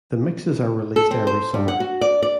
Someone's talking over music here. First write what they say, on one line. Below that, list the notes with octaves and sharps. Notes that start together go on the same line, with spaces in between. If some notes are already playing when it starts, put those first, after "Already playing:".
The mixes are released every summer.
A4
C4
C5
G2
F#5
F#4
D5
D5